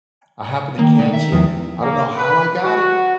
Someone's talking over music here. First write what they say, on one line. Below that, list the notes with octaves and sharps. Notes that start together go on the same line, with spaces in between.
I happened to catch it, I don't know how I got it
D#3 A#3
B2 G#3 A3
E5
E2 F3 G#3
A#3
B4
F#4